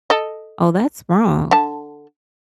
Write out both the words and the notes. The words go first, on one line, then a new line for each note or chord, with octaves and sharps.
"Oh, that's wrong,"
A4 D#5
D3 A5